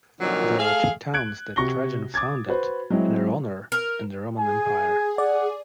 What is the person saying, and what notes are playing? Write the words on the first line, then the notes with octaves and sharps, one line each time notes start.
There are two towns that Trajan founded in her honor in the Roman Empire.
F2 A#2 D3 D#3 F3 F#3
A3 G#4 A4 F5
F#6 G#6 D7
C3 F#4 C#6 A#6 G7
D6 D#6 G#6 A6
F#4 B4 C5
F#3 G#3 C4 E4
A#4
G#4 G#5
D5 F#5